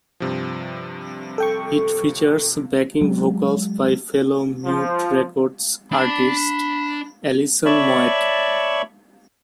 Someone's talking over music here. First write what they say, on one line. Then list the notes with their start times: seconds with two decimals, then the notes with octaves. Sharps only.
It features backing vocals by fellow Mute Records artist Alison Moyet.
0.20 G2 C3 F3
1.38 A4 G5 C#6
3.01 F#3 G#3
4.65 F3
5.92 D4 A5 B5
7.65 C#5 D5 E5 A5 B5 C#6